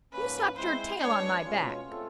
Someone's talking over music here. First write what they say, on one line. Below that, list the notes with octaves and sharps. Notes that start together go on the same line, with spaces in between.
"You slapped your tail on my back!"
G#2 F3 A#3 C#4 B4
G#3 C4 E4 C5
G#3 B3 D4 C#5
B2 G#3 C#4 F4
A3 C4 F4 A4